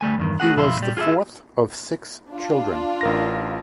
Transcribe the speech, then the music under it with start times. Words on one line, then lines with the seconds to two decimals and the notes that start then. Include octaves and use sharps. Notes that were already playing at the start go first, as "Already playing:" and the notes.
He was the fourth of six children.
0.01 D2 G3 A3 G#5
0.18 E2 G2 D#3
0.40 A3 F#4 G#4 F#5
0.56 B1 F2 E4 F5 C6
0.79 A#2 G3
0.97 F4 G#4 A4 D5 E5
2.32 D4 F4
3.01 A1 A#4 A#6